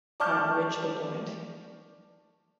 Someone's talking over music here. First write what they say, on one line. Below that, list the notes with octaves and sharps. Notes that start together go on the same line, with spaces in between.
Art rich but blind?
D5 A5 C#6 D6 F6 G6